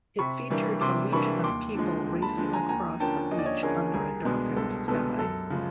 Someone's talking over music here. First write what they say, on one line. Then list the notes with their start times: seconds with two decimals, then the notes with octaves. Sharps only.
It featured a legion of people racing across a beach under a darkened sky.
0.19 C3 B5 C#6
0.50 E3 G3 A#3 D4
0.81 C3 C6 D6
1.12 E3 G3 A#3 D4 B5 C#6
1.44 D#2 C6 D6
1.75 D3 F3 G#3
2.06 D#2
2.22 A5 B5
2.37 D3 F3 G#3
2.53 G#5 A#5
2.69 D#2 G#5 A#5
3.00 D3 F3 A#3 C#4 G5 A5
3.31 D#2 D#5
3.39 D5
3.45 C#5 D#5
3.62 D3 F3 A#3 C#4 G#4 A#4
3.94 C2 G#4 A#4
4.25 B2 G#3 B3 D4
4.56 C2 A4
4.88 B2 G#3 B3 D4 A4
5.19 F#2 A4
5.50 C#3 F3 G#3